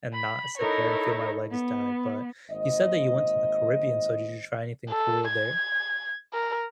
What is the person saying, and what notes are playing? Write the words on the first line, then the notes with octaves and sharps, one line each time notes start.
and not sit there and feel my legs die, but, you said that you went to the Caribbean, so, did you try anything cool there?
B5
D#4 E4 A4 A#4 C#5
B3
G#1 A#3 C5 D#5
A4
G#6
A#4